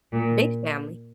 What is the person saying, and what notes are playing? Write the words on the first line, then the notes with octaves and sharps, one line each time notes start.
Big family.
A#2